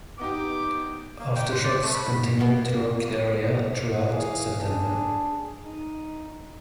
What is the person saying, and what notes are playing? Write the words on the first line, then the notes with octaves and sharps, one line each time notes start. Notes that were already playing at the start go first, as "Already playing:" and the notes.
Aftershocks continued to rock the area through September.
B3 D#4 G4 D6
A#3
G5
C5
D5
A3
B5
A#3 B3
F#5
E3 G#4 F5
D4 G#4
D#4